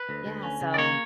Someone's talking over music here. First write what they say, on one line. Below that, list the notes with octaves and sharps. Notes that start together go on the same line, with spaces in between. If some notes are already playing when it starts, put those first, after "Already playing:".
yeah so
Already playing: B4
D2
D2
C#4
C#3
D5
A#3 C#5